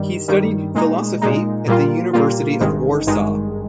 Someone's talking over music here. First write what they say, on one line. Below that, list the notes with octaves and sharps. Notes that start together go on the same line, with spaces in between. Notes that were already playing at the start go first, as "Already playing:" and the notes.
He studied philosophy at the University of Warsaw.
Already playing: G2 D#3 G3
G2 D#3 G3
A#2 G#3 D#4
A#2 G#3 D#4
A#2 G3 A#3 F4
A#2 G3 A#3 F4
G#1 G2 D#3 G#3
G#1 G2 D#3 G#3